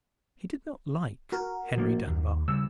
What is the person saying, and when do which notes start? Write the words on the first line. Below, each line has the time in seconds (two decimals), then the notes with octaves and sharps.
He did not like Henry Dunbar.
1.32 F#4 A#4
1.78 F3 A#3
2.07 D#2
2.48 C#3 G3 E6